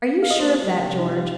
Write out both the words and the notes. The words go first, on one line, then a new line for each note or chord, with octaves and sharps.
"Are you sure of that, George?"
F5
D#5
A#3 C5
G3
G4
C3
D#4
F4